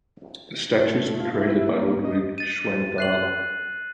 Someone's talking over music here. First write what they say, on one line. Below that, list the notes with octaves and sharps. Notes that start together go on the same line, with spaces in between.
The statues were created by Ludwig Schwanthaler.
A3
F4
E4
E4
A#3
D#5
A6 D#7
F#6 C7 F#7